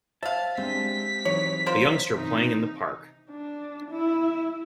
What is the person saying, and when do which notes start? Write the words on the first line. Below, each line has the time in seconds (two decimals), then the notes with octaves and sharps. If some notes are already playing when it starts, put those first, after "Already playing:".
A youngster playing in the park.
0.23 C5 E5 F5 A5
0.58 G#3 C4 D4 G4 B6
1.25 E3 F#3 D#4 C#5
1.66 F4 A#4 C5
2.15 C3 E3 D#4
3.31 D4
3.90 E4